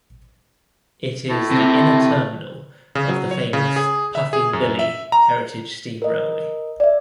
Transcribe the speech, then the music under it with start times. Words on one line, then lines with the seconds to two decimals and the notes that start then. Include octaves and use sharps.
It is the inner terminal of the famous Puffing Billy heritage steam railway.
1.29 A2
1.51 C3
2.95 C#3
3.09 F#3
3.31 C#5
3.53 C#3
3.76 G#4
4.15 E5
4.33 G#4
4.53 F#2
4.79 E5
5.12 A#5
6.02 A#4 D#5
6.80 D5 E5